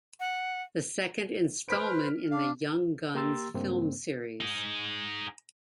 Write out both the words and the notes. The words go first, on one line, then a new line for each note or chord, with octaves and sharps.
The second installment in the "Young Guns film series".
F#5
B4 C5 F6 B6 D7
D4 F5
A#3 G4 A#5 C6 E6 A6
G2 C#3 A#3 C4
D#4 G#4